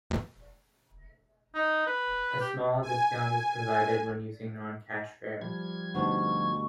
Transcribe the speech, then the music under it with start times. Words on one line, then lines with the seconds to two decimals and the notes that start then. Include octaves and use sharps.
A small discount is provided when using non-cash fare.
1.55 D#4
1.87 B4
2.40 G4
2.83 G#5
5.41 F3 G3 G#6
5.95 D2 G2 B2 D#4 C5 F#5 C#6